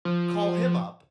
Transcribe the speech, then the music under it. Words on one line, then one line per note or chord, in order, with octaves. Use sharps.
Call him up
F3